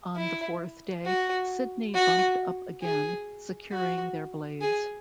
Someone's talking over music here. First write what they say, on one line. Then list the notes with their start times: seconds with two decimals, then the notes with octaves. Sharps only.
On the fourth day, Sidney bumped up again, securing their blades.
0.16 E4
1.06 F#4
1.94 F#4
2.83 G#4
3.73 F#4
4.61 G#4